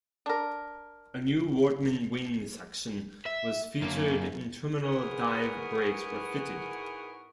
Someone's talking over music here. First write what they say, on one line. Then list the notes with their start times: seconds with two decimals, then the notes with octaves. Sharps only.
A new Wortmann wing section was featured and terminal velocity dive brakes were fitted.
0.26 D4 A#4
3.26 E5
3.81 F#2 A#3
4.82 G#2 E3 B3 F#4 G#4 A#4